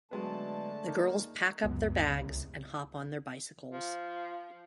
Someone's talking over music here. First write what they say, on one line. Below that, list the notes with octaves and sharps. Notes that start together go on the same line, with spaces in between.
The girls pack up their bags and hop on their bicycles.
D3 F#3 G#3 A3 B3 A5
A#3 D#4
F2 G#3
C#2 F#2 B3
C#3
C2
F3